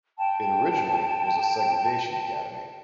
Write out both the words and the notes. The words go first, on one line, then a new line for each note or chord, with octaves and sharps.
It originally was a segregation academy.
G5 A5